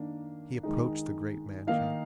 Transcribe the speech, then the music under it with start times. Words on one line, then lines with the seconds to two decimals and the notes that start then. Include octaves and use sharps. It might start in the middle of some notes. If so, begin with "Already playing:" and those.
He approached the great mansion.
Already playing: D#3 A#3 D4
0.63 D#3 G#3 D#4
1.67 D#3 A#3 D#4 F5